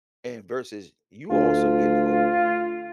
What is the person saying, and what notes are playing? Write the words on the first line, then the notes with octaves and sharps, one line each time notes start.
and versus you also getting older
D2 F4